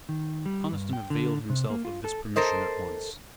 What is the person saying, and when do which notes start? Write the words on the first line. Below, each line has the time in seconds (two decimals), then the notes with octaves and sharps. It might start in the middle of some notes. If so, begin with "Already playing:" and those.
Conniston availed himself of this permission at once.
0.09 D#3
0.46 G3
0.72 G2
0.93 G5
1.10 D3
1.50 C3
1.70 A#3
1.85 F4
2.04 A4
2.36 A4 A#4 C5 D#5